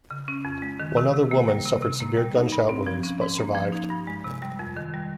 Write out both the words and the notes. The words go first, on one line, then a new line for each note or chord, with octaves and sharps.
One other woman suffered severe gunshot wounds, but survived.
C#3
C#4
F2
G#3
D#3
C3
C3
A#3
G3
C3
C3
A#3
G3
D#4
G2
C4
F3
C#4
G#2
A#3
F3
D#4
G2
G#3
C3
G3
F2
D#3
G3